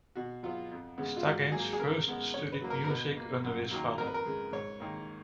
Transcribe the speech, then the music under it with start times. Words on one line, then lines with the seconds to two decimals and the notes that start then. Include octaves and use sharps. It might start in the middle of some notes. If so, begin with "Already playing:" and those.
Staggins first studied music under his father.
0.15 B2 F#4
0.43 F#3 B3 F4
0.71 F2
0.98 C#3 G#3 B3
1.17 F4
1.26 G#2 F#4
1.52 F#3 A#3 G#4
1.73 G#4
1.80 C#3 A#4
2.07 G#3 B3
2.34 C#3 C#5
2.52 B4
2.62 F#3 A#3
2.70 A#4
2.84 A#4
2.89 B2 B4
3.17 A#3
3.44 F#2
3.71 D#3 F#3 A#3
3.98 F2 A#4
4.07 B4
4.14 A#4
4.26 C#3 G#3
4.52 G#2 C#5
4.80 D#3 A#3